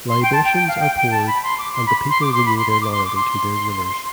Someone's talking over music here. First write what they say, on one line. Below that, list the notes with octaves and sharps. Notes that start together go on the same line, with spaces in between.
Libations are poured and the people renew their loyalty to their rulers.
C6
G5
A5
G5
G5
F5
G5
G5
A5
B5
C6
D6
C6
B5
C6
D6
C6
B5
C6
C6
D6
C6
D6
C6